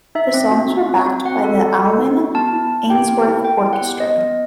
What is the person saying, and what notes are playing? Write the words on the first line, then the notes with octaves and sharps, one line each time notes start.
The songs were backed by the Alyn Ainsworth Orchestra.
D#4 E5
C4
F#4
D#4
C4
F#4
C4 F#5
A4
F#4
A4
D#4
F#4
B3 A5
E4
E4
G4 G5
B3
E4
E4 G5
G4
F#5
B3
B3 D#5
B3